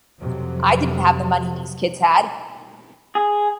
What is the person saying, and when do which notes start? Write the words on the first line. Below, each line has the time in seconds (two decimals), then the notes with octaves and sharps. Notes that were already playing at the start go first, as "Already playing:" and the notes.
I didn't have the money these kids had.
0.18 F2 C3 F#3
3.15 G#4